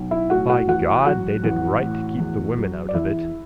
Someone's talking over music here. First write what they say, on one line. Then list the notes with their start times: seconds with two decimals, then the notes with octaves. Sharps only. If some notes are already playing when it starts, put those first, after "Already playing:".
By God they did right to keep the women out of it.
Already playing: B1
0.11 E4 E5
0.30 A2 F#4 F#5
0.49 F#4 F#5
0.68 A1 F#4 F#5
1.05 F#3 F#4 F#5
1.44 A1
1.81 A2
2.19 E2
2.57 F#3
2.89 D5
2.94 E2 E4 E5